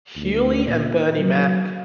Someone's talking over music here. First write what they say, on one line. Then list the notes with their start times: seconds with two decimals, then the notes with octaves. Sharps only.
Hughley and Bernie Mac.
0.16 D2
0.66 A#2
1.19 F#3